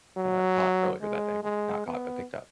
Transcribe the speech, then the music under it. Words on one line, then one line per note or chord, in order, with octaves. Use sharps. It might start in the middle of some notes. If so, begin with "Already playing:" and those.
uh, caught earlier that day, well, not caught, but picked up.
F#3
G#3
G#3
B3